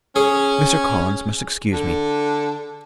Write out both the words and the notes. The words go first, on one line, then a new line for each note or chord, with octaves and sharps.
Mr. Collins must excuse me.
C#4 G#4
D3